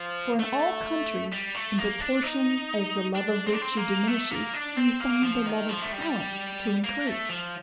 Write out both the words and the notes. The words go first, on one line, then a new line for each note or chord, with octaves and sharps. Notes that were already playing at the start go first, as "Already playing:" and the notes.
For in all countries, in proportion as the love of virtue diminishes, we find the love of talents to increase.
Already playing: F3
A3
G3
A3
A#3
D4
D#4
D4
C4
D4
C4
A#3
A3
A#3
D4
C4
A#3
F3
D#3
F3
A3
G3
A#3
A3
F3